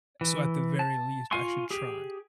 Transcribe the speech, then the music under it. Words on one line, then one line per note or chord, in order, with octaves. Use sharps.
So, at the very least, I should try.
E3
A5
F4 F5 G#5 C6 C#6
G4 G#4